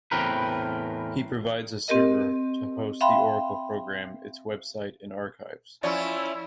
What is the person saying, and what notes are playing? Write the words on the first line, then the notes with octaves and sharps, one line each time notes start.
He provides a server to host the Oracle program, its web site, and archives.
E2 A2 C4 A#4 B4
C4 G4 A#4 D#5
E5 F5 G5 B5 C6
F3 C#4 E4 D5